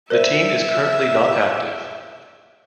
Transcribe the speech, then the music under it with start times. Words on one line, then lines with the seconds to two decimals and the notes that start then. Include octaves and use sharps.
The team is currently not active.
0.10 A#4 C5 D5 E5